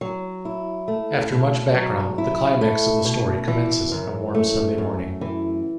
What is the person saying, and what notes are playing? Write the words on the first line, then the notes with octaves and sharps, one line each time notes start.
After much background, the climax of the story commences on a warm Sunday morning.
F#3
E4
A3
B2
F#3
E4
A3
B2
E3
F#2
A3
F#2
E3